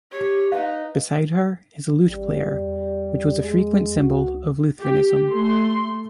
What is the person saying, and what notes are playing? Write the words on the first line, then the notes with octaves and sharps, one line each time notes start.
Beside her is a lute-player, which was a frequent symbol of Lutheranism.
G4 C#5
D#4 B4 F5
A1 G3
E2
G#3
C#2 F#4
G4
A3 C6